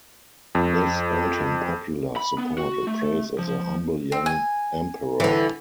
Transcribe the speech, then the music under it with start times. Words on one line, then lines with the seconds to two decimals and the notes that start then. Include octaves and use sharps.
This earned him popular support and praise as a humble young emperor.
0.55 F2
2.17 B5
2.38 B3
2.58 F#4
2.87 A3
3.39 F3
4.12 C4
4.26 G#5
5.20 D3 E3